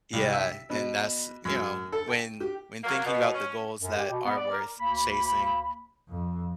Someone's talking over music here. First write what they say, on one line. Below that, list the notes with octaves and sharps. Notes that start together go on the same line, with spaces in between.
Yeah, and that's, you know, when when thinking about the goals that are worth chasing,
C2
E5
B2
F#2
A4
G5
G4
F#3 A#3
B2
C#4
F#2
G4
B2
B3
D5
A#4
D2 A#3 B5
F2